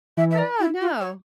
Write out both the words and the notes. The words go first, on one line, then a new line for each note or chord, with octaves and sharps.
Oh, no.
E3 E5
E5
D5
E4
F4
C#5